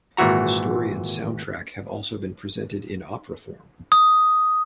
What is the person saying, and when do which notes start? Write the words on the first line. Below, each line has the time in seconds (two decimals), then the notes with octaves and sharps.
The story and soundtrack have also been presented in opera form.
0.17 G#1 A#2 E3 F#4 A#5
3.92 D#6